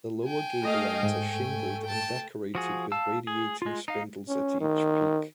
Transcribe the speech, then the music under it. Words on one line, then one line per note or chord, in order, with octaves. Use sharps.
The lower gable ends are shingled and decorated with radiating spindles at each peak.
G5 G#5
A3 D#5 F5
G#2 A3
G5 A5
F3 F#4 G#4
F5 A5 E6
G#4
G#3 F4
D#4 F5
C#4
D#3